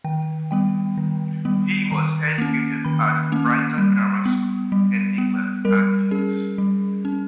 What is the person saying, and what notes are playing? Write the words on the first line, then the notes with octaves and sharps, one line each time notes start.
He was educated at Brighton Grammar School in England and Lewes.
D#3 G5
G3 B3 G5
D#3
G3 B3
D#3 A#5
A#3 C#4
D#3 B5
A#3 C#4
G3
B3
G3
B3
G3 A#4
C#4 G#4
G3
C#4